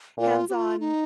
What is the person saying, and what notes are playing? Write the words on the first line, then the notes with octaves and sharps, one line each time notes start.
Hands on,
A#2 F4
G4
F4
D#4